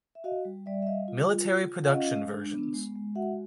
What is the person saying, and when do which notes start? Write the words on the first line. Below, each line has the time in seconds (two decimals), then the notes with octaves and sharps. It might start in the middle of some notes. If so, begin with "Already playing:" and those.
Military production versions.
0.15 E5
0.24 F#4 D#5 F5
0.45 G3
0.66 G3 D5 E5
0.82 E5
0.87 G3 D#5 F5
1.08 F4
1.29 F4
1.49 F4
1.70 F4
1.83 F#5
1.90 C#4 D#5 F5
2.12 G#3
2.33 D4
2.54 B3
2.74 G#3
2.96 G#3
3.15 F#4 E5 F#5